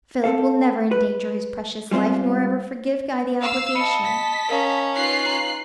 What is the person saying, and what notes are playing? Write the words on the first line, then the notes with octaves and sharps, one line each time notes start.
Philip will never endanger his precious life, nor ever forgive Guy the obligation.
C4 A4 F5
B4
G3 G#3 C4 F4 C5
F5 E6
D#5 A5 B5 C#7 D#7
B6
C#4 A#4 F5 A#5
D#4 F4 B4 F#6 C7
A#5